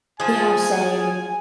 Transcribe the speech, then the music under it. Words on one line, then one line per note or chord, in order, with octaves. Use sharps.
Yeah, same.
F3 G#4 G#5